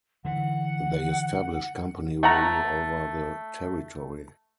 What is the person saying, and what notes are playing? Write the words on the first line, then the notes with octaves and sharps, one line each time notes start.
They established company rule over the territory.
D3 E3 F#5
A3 F#5 A#5